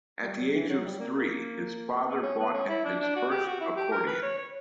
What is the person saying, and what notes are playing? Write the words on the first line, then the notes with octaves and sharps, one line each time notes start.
At the age of three, his father bought him his first accordion.
G3
F#3
E3
F#3
G3
A#3
A#3
B3
C#4
B3
C#4
E4
D4
D4
F#4
G4
F#4
E4
G4
A#4
B4
C#5
C#5